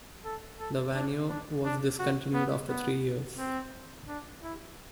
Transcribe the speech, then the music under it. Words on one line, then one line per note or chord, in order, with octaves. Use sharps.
The Vaneo was discontinued after three years.
A4
A4
D4
D4
D4
F#4
B3
B3
C4
D4
E4